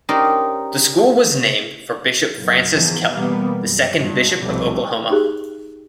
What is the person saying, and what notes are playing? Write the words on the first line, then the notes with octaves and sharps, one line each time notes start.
The school was named for Bishop Francis Kelley, the second bishop of Oklahoma.
C#4 D#4 G4 A#4 C5 D5
F#1 B1
E2 G#2 E3 F3
B2 E3 G3 A#3 B3
F#2
G#1 G2
F1 C2 F2 B2 G3 A3
D#4 G4 G#4